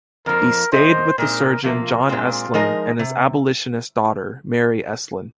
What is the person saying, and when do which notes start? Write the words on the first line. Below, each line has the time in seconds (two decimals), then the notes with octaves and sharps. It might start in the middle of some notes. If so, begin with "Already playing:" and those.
He stayed with the surgeon John Estlin and his abolitionist daughter Mary Estlin.
0.26 F2 F3 A#3 A#4
0.72 A#2 G#3 D#4 A#4 C5 D#5
1.18 A#2 G#3 C4 D#4 A#4
1.63 C3 F3 A#3 F4
2.09 A#2 G#3 C4
2.54 F3 G#3 D#4 A#4 D#5
2.99 C3